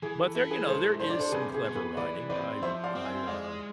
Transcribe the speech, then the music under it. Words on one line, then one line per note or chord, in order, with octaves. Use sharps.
but there you know, there is some clever writing, I I, uh
E3 G#4
A4
E4 A4
G#4 B4
G#3 A4 C5
D4 C5
D5
A4 C5
C3 G#4 B4
G#4
B3
G#4 B4
E3 B4 D5
C4 B4 D5
F3 C5 E5
D5 F5
C4
E5 G#5
G#3 D5 F5